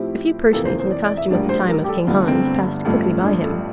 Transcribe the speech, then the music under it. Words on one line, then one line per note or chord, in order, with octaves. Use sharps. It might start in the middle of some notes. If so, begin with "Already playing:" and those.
A few persons in the costume of the time of King Hans passed quickly by him.
Already playing: A2 F3 C4 E4 G4
F2 C3 E3 A#3 A4
C5
C5
D5
D5
E5
A#1 A2 G3 A#3 D4 D5
C5
A#4
G4
A4
G1 G2 D3 A3 F4
C4
A1 G2 F3 A3
D4
A4